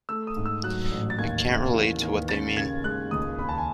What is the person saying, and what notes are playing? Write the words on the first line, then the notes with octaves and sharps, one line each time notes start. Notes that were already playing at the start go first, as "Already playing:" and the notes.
I can't relate to what they mean.
A3 E6
D#6
G#2
E6
F#3 F#6
A1
A6
D#2 G#6
C#3
E3
D#2
C#4 A6
C#3 G#6
G#3 F#6
C#2 D#6
D#2 B5
A5
G#5